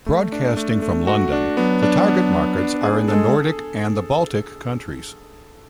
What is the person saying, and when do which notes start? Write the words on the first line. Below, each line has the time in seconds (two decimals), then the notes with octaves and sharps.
Broadcasting from London, the target markets are in the Nordic and the Baltic Countries.
0.06 A3
0.32 D4
0.57 A3
0.82 A3
1.07 F#4
1.32 D4
1.57 F#3 B3
1.83 D4
2.08 B3
2.33 B3
2.58 D4
2.83 G#4
3.08 G#3 A4